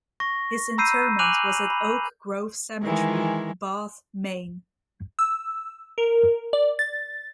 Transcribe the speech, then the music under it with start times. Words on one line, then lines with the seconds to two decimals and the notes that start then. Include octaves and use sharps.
His interment was at Oak Grove Cemetery, Bath, Maine.
0.20 C#6 A#6
0.78 A#5 B5 E6 G6 C7 D#7
1.19 G#5 D6 F#6 D#7 F7 F#7
1.70 B5
2.82 D#3 E3 G#3
5.19 E6
5.98 A#4
6.53 D5
6.79 A6